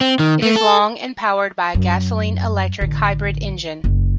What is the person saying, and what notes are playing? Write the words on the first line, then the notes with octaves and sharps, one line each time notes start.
It is long and powered by a gasoline-electric hybrid engine.
C4
D#3
A3
A4
F#2
A1 D3
F#1